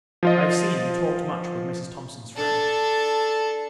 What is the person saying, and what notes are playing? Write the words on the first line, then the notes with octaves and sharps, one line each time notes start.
I have seen, and talked much with, Mrs. Thomson's friend.
F3 F4 D#5
D4 A4